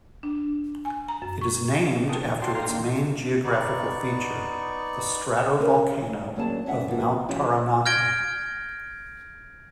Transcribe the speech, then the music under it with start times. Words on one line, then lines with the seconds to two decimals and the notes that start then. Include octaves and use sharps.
It is named after its main geographical feature, the stratovolcano of Mount Taranaki.
0.23 D4
0.85 G#5
1.08 A#5
1.22 F#2
1.41 C#6
2.09 F4 F#4 A#4 G5 A5 D#6
2.22 D#2
2.42 F#4 D5 G5 A5 C6
2.55 F5 G5 A#5 C6
2.68 D#2 A#3 D4 G5
2.80 E3
3.44 B3 D#4 D5 C#6
5.59 C3 C#4 A#4 C5
6.08 A2 C#3
6.36 D2 F#3 A#3 C#4 G#4 A5
6.66 G2 C#4 E5 F#5
6.87 G#2 E3 F3 A#3 F4 F#4
7.29 F3 C#4 E4 F#4 G4
7.86 F6 G6 G#6 A#6 D7 G7